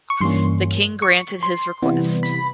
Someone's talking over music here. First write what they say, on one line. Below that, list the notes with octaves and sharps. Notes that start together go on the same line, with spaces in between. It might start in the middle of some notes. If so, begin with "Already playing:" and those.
The king granted his request.
C#6
G2 E3 G3 A#3 C#4 C6
C#6
C6
C3 E3 G3 B3
B5